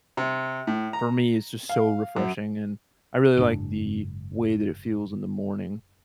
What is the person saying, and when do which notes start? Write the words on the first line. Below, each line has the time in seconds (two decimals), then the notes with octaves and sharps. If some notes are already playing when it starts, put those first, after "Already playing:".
for me, it's just so refreshing, and I really like the way that it feels in the morning,
0.17 C3
0.67 A2
0.93 A#5
1.69 F5
2.16 F#2
3.37 F#1 G#2 D4